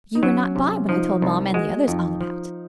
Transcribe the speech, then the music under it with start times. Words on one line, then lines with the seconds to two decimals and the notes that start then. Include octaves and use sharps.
You were not by, when I told mamma and the others all about it.
0.15 D#4
0.22 F#3 C#4
0.55 C3 C#4
0.89 F3 D#4
1.22 C2
1.54 G#3 F#4
1.88 F2 D#4
2.21 F3